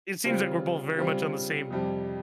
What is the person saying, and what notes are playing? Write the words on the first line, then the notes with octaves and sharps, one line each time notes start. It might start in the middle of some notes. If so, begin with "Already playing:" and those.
it seems like we're both very much on the same
C#3 G3 C4 F4
C#3 G3 C4 F4
F2 C3 G3